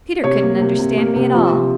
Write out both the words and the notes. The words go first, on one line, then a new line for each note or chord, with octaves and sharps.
Peter couldn't understand me at all.
C3 C#5
A#3
C3
C3
A#3
C3
F3
C3